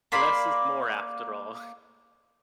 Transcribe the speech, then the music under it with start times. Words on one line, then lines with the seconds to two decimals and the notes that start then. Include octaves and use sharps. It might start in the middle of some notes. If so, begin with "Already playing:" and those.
Less is more after all.
0.12 A#3 D5 B5 C6